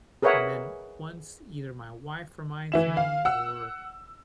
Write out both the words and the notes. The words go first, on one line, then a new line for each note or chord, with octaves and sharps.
and then once either my wife reminds me or
G#4 A#4 B4 C#5 E5 F#5
E3 E4 E7
F5
F#5 E6